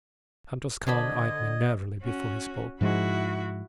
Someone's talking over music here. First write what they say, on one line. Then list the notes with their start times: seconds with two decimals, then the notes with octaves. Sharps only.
Kantos Kan eyed me narrowly before he spoke.
0.87 D3 D4 C5 D#5 B5 G#6
2.02 C#4 F#4
2.81 G#2 F3 G#3 E4 F#4